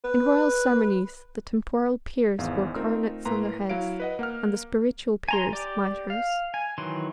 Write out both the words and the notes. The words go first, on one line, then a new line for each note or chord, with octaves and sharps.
In royal ceremonies the temporal peers wore coronets on their heads, and the spiritual peers, mitres.
B4
G#1 E2 G#2 F5
A3 C4 D#4 F4 A#4
A2 A#3 B4 A#5 C6
F#3 E4 F5 D7
B4 D#5 F#5
A#3 F#5 F6
G#5 A#5 C6
G4 D5
F5
G#5
D#3 E3 F#3 C6